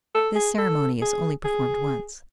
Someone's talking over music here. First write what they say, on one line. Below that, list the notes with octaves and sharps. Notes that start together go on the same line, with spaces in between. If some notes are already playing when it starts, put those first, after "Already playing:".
This ceremony is only performed once.
A4
G#4
A4
G#4
G#4